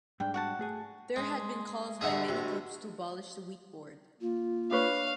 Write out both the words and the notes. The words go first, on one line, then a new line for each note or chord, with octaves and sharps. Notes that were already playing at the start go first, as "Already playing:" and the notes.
There had been calls by many groups to abolish the Wheat Board.
G#2 G3 D4 G5
F#4 F#5 A5
A3 G#4 G#5
G#3 C6
G2 B2 D3 G#4 D#5 E5 F#5
C3 F#4
A#3 F4
D4 B4 C#5 F5